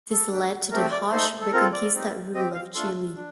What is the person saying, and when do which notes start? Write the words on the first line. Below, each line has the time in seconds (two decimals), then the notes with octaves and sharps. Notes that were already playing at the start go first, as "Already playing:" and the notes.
This led to the harsh reconquista rule of Chile.
0.11 A4
0.31 D4 G4
0.71 A3 C4 G4 A#4
0.92 D5
1.12 A3 D#4 A4 C5
1.41 A4
1.53 C4 F4 A4 A#4
1.73 D5
1.93 C4 D#4 G4
2.34 C4 G4 D#5
2.54 F5
2.75 A3 D4 F4 A4 C6
3.15 D4